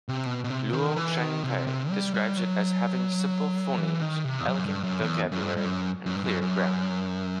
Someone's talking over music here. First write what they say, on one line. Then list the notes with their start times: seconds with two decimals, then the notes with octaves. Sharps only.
Luo Changpei describes it as having simple phonemes, elegant vocabulary, and clear grammar.
0.09 C3
0.26 B2
0.44 B2
0.50 C3
0.73 D#3
0.96 E3
1.20 D#3
1.44 C3
1.67 C3
1.91 G3
2.14 G3
2.37 F#3
3.78 E3
4.02 D#3
4.25 C3
4.41 E2
4.48 F#2
4.66 G2
4.83 F#2
5.01 E2
5.32 F#2
5.42 G2
5.57 G2
5.65 F#2
6.06 F#2
6.16 G2
6.24 F#2
6.42 F#2